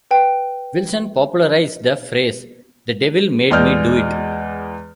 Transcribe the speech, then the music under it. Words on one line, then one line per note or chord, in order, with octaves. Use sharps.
Wilson popularized the phrase The devil made me do it.
B4 G5
E2 G#3 D5 D#5 F6 G6